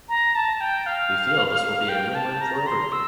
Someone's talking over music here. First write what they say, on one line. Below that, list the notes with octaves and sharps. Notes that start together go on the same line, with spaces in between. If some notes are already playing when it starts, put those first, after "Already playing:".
We feel this will be a Win Win for everyone.
A#5
A5
G5
F5
F5
G5
A5
A#5
C6
E6